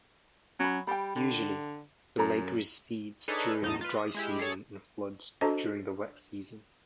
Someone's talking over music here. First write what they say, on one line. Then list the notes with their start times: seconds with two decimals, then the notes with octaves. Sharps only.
Usually, the lake recedes during the dry season and floods during the wet season.
0.60 F#3 C#4 B5
0.87 G3 G5 B5
1.16 D3
2.18 F#2 A4 A#5
3.28 D4 D#4 G#4 A4 B4 C#5
3.62 E2 A2 D#4 D#5 A5
3.81 F4 B4
3.97 D#6
4.14 G#3 E4 G4
4.39 G#4 A4 C#5 A5
5.41 D4 F#4 A4 C5 D#5 A#5